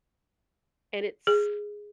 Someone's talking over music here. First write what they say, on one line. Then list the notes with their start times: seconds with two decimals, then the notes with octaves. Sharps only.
And it's
1.27 G#4